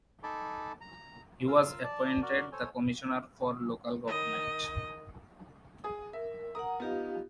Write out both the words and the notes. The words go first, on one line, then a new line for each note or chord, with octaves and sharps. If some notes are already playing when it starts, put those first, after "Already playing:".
He was appointed the Commissioner for Local Government.
D#4 A4 G#5 A5 B5 D6
A#5
F4 A#4 F5 E6
D5 A5
F#4 A#4 D5
A4 C5 C#5 G#5
D#3 D#5
G#4 D#6
A#4 E5
A#4 F#5 A#5 D#6
B3 D#4 F4 G4 F5